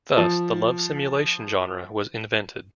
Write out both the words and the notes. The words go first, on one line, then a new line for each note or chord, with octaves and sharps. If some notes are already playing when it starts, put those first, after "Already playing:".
Thus, the love simulation genre was invented.
F3